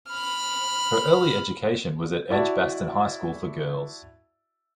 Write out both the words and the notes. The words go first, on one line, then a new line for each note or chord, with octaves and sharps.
Her early education was at Edgbaston High School for Girls.
B5 F6
E4 F#4 D5 E5 A5